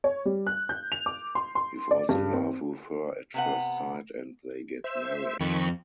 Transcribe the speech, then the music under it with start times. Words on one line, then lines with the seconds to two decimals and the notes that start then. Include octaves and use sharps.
He falls in love with her at first sight and they get married.
0.04 C#5
0.25 G3
0.47 F#6
0.69 G6
0.92 F7
1.06 D6
1.35 C6
1.55 C6
1.91 D5
2.09 G2
2.33 C4
3.34 C3 B3 F#5
4.84 C5 E5
5.41 F2 D#3 B5 C#6